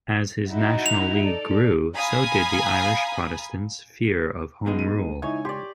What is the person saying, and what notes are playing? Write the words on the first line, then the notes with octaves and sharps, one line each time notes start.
As his National League grew, so did the Irish Protestants' fear of Home Rule.
D#4 E4 F#4
F7
A4 D5
F5 G#5 A#5 B5 D#6
B2 G#3 D#4
D#7
C#2 D#4 E4 C#5 G#5
G4 D5 C6